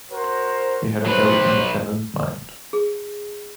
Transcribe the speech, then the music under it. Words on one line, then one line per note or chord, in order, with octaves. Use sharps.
He had a very independent mind.
F#4 A#4 C5
F#3 G3 B4 C5
G#4